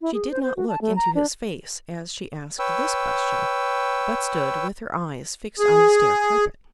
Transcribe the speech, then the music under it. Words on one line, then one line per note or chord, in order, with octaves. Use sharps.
She did not look into his face as she asked this question, but stood with her eyes fixed on the stair-carpet.
E4
G#4
C5
C5
F#4
A5
A3
A#5
D4
B4 C#5 G5 E6
G#4